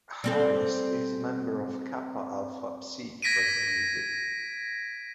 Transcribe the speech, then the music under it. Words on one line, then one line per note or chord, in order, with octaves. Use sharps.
Harris is a member of Kappa Alpha Psi fraternity.
G3 C4 A4
G#6 A#6 B6 D7 D#7